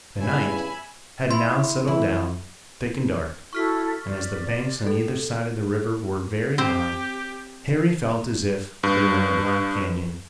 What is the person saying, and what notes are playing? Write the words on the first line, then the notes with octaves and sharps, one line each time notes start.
The night had now settled down thick and dark, and, as the banks on either side of the river were very high, Harry felt as if they were in a black canyon.
E2 G2 C#3 E5 G#5 B5
E4 C6
E3 E4
E4 F#4 A4 C#6 F6 B6
D5
A4
C4 G4 C5
G2